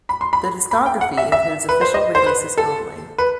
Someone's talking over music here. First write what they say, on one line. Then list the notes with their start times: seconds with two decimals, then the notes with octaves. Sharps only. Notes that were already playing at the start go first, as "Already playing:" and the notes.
The discography includes official releases only.
0.09 B5
0.21 C6
0.33 B5
0.71 B5
0.86 G5
1.01 F#5
1.18 E5
1.32 E5
1.69 B4
1.81 C5
1.94 D#5
2.15 C5
2.26 B4
2.58 A4
3.18 B4